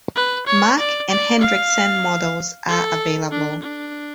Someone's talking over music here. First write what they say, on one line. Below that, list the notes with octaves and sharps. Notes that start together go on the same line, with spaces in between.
Mack and Hendrickson models are available.
B4
C#5
D5
D5
F5
A4
D4
D4